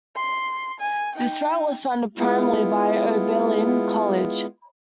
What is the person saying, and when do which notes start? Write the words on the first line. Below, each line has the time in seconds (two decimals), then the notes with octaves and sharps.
This route was funded primarily by Oberlin College.
0.15 C6
0.79 G#5
1.15 D#4 G5
2.17 G#3 B3 E4 F4